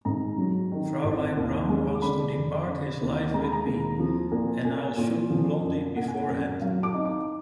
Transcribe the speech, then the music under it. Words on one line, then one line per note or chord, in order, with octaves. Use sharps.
Fraulein Braun wants to depart this life with me, and I'll shoot Blondi beforehand.
G#2 A#5
F#3
D#3
G#1
D#2
G#3
D6
D3 B5
F1
D3
D#2
G#3 A#5
B5
A#5
D#2
F3
A#2
A#3 G#5
A#2
F3
F#2
A#3 F#5
G#5
F#5
F#2
F#3 F5
D6
D#4
D6